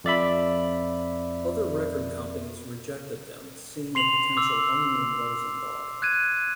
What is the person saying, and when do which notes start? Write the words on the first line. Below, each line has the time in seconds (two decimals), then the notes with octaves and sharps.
Other record companies rejected them seeing a potential only in Rosendahl.
0.04 F2 D5 E5 B5
3.95 C6 C7 F7 F#7
4.37 D6 E6
6.02 F#6 G#6 D#7